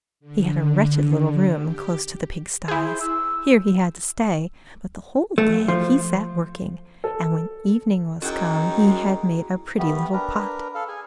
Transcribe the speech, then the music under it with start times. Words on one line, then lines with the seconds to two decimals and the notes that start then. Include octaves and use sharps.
He had a wretched little room close to the pigsties; here he had to stay, but the whole day he sat working, and when evening was come he had made a pretty little pot.
0.20 D3
1.54 G4
2.68 E4 G#4 C5
3.00 E6
5.38 A3
5.68 F3
7.04 A4
8.22 F#2 D#4 E4 F#4 G#4 G5 A#5
9.78 G3 A3 B3 G4
10.13 D4 A#4 B4 A#5
10.75 A4 F5
10.88 G#4 G#5